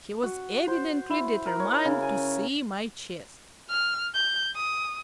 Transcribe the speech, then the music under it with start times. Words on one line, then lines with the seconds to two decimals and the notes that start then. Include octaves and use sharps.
He was evidently determined to see my chest.
0.23 F#4
0.67 C5
1.10 E4
1.46 A#4
1.60 C#5
1.85 C#3
2.02 G#5
3.70 F6
4.15 G6
4.56 D#6